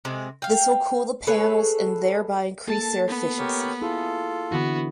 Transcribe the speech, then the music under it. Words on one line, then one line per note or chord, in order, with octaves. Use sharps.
This will cool the panels and thereby increase their efficiency.
C3 G#3
F5 G5
G#4 A4 B4 C#5
A#3 A4 A5
B3
G4 A#4 C#5
E4 F4 G#4 A4
D3 E3 B3 E4 F#4